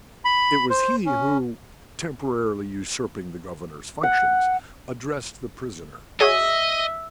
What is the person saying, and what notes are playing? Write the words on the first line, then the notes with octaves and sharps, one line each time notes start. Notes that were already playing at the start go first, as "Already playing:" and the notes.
It was he who, temporarily usurping the governor's functions, addressed the prisoner.
B5
C5
C#4
F#5
F#4 G#4 C#5 D#5 E5